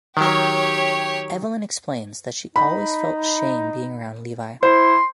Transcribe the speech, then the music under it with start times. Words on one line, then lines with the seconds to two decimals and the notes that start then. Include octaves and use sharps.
Evelyn explains that she always felt shame being around Levi.
0.17 D#3 F#3 G4 C#5
2.56 D#4 B5
4.63 E4 C5 C6